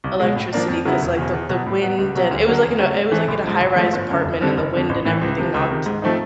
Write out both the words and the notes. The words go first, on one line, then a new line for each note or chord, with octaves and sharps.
electricity 'cause, like, the the wind and it was, like, in a it was, like, in a high rise apartment, and the wind and everything knocked
C2
B2 G#3
A2
F3 A#3 D4
F2
C#3 F#3 B3 E4
E1
E2 B2
E2
B2 F#3
A2
F#3 B3
C#2
B2 F#3
D2
D3 F#3 A#3
E2
C#3 F#3 A3 C#4
G#2
E3 A3 C4
A#1
G#2 F3
A#1
G#2 F3 A3
G1
F#2 D3
F1
F2 D3 G3 C4
F#1
F2 D3
A1
A2 E3
C#2
C3 F3
C#2
C3 D#3
G#2
F3 A3 C4 D#4